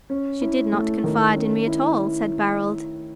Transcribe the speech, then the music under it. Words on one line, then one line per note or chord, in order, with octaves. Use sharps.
"She did not confide in me at all," said Barold.
C#4
E4
A3
D#3
C#4
E4